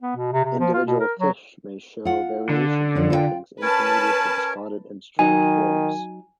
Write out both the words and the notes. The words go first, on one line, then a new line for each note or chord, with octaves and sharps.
Individual fish may show variations in markings intermediate to the spotted and striped forms.
B3
B2
C3
C3
F3
F4
B2
A#4
F#3
F4 F#5
D3
F#2 F3 C#4
F4 C5 G5
C#4 A#4 B4 C#5 A5
D#3 F#3 D#4 G#5